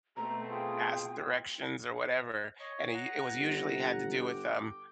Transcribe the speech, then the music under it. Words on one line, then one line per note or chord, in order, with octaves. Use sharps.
a a ask directions or whatever, and i it was usually had to do with, um,
B2 A3 C4 A#5
F4 G#4 G5
C#5 D#5
F#5 A#5
G1
G5 D6